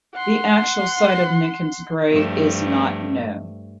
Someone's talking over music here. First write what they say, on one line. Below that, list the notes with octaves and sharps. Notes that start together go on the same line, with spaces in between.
The actual site of Ninken's grave is not known.
F#5 C6
G2 F3 A3